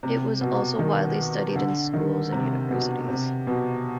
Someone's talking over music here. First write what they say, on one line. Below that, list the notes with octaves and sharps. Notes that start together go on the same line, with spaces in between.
It is also widely studied in schools and universities.
C3
B2
D#3
D3
D#3
C3
B2
C3
B2